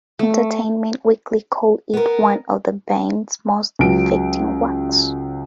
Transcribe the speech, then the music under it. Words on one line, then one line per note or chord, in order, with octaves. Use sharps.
"Entertainment Weekly" called it "one of the band's most affecting works".
A3
B3 A#4
C#2 F#3 D7